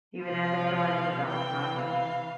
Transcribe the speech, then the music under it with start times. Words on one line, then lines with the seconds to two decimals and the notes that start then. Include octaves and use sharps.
He would end up joining the Dallas Mavericks.
0.23 C3 F3 F5
0.75 F5
1.27 C3 E3 G5
1.78 F5